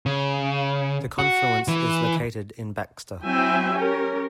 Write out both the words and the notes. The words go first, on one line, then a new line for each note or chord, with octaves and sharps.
The confluence is located in Baxter.
C#3
F#4
E3
F#3 C4 E4 E5 G5 G#5
C#4 G4 A#4